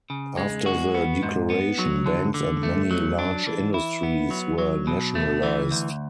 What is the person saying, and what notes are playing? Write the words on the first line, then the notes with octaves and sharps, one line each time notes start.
After the declaration, banks and many large industries were nationalised.
C#3
G#3
F#4
B3
G#2
B3
F#3
D3
D3
A3
F#3
D4
E3
E4
B3
F#3
F#3
B2
A3
E3
D2